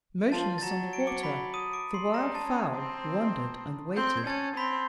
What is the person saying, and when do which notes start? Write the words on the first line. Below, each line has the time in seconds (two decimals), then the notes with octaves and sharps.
Motionless on the water, the wild fowl wondered and waited.
0.32 F3 A5 A6
0.58 A6
0.62 F#3 A#5 A#6
0.93 D7
1.00 C#7
1.07 D6 D7
1.23 B5 B6
1.54 D#6 D#7
1.73 D6 D7
1.94 C6 C7
2.14 G3 A#5 A#6
2.35 A5 A6
2.45 C#4
2.75 C4
3.96 C4 G6
4.07 G6
4.17 G#6
4.27 C#4 A5 A6
4.57 C4 B5 B6